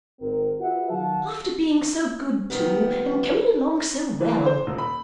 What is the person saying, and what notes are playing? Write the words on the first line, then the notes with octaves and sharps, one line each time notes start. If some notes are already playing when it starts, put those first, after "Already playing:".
'After being so good too, and coming along so well!
G#1 C4 A#4
F4 F#4 G#4 B4 E5 F#5
D#3 F#3 F5 F#5 A5
D#3 F3 G3 B3
E3
C5
D#1
B5